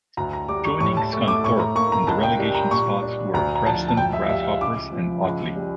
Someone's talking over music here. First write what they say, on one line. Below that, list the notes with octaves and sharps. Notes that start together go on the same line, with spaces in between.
Joining Scunthorpe in the relegation spots were Preston Grasshoppers and Otley.
D2 A#5
A#5
G3 D6
C#6
A2 C#6
A5
A3 C#6
D6
A2 C#6
A#5
A#3 C#6
A#5
C#2 A5
G5
G3
A#5
A#2 C#6
D4
D2 A#5
A#5
F3 A5
A5
D2 G5
E5
F5
G3 E5
F5
C#2 D6
F3
C#2
G3